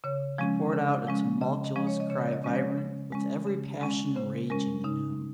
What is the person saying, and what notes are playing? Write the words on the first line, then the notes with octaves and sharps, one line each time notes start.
He poured out a tumultuous cry vibrant with every passion raging in him.
C#3 C#5
F3 G#3 C#4
C#3
F3 G#3 C#4
C#3 D#5
D#5
F3 G#3 C#4
C#5
D#5
C#3 C#5
D#5
F3 G#3 C#4
C#5
C#3
G#3 C#4
C#3
G#3 C#4
C#3 C5
G#3 C#4 A#4
C#3 D#4